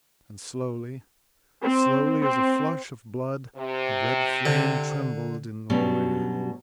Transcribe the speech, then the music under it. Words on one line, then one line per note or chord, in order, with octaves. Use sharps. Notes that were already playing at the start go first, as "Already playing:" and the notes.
And slowly, slowly as a flush of blood, a red flame trembled in the wire.
C4
C4
C3
D3
G2 B2 F#3 G3 C#4